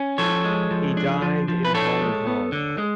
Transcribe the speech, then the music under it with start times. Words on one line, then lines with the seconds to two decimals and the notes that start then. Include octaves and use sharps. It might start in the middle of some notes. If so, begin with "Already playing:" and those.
He died in Hong Kong.
Already playing: C#4
0.18 F3 A4 C#5
0.44 G#3
0.71 F3
0.97 D4
1.22 F3
1.48 F3
1.65 B4
1.74 D4 A4 C#5
2.00 G#3
2.27 B3
2.52 D3
2.78 G#3